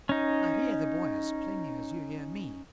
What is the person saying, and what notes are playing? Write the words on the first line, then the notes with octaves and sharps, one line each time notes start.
I hear the boy as plainly as you hear me.
C#4 D#4